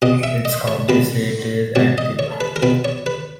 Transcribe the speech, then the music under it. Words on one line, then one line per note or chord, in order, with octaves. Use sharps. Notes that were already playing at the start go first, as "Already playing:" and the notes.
Its county seat is Antigo.
B2 D#5
E5
D#5
C#5
B2 B4
B2 C#5
D#5
C#5
B4
A#4
B2 B4
C#5
B4